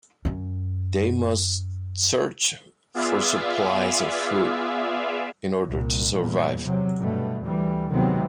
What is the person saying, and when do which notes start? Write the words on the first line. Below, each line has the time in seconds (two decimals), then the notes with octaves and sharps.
They must search for supplies and food in order to survive.
0.25 F#2 C#4
2.94 B3 F4 G#4 D5 E5 F5
5.67 C2 A#2
6.16 E2 G2 A#2
6.65 C3 F#3
6.99 G2 B2 A3
7.43 D2 E3 G3
7.92 C3 D#3 F#3 G#3 B3 C4